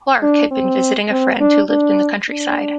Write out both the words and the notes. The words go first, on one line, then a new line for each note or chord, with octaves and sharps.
Clarke had been visiting a friend who lived in the countryside.
D4
C4
C4
D4
D4
D4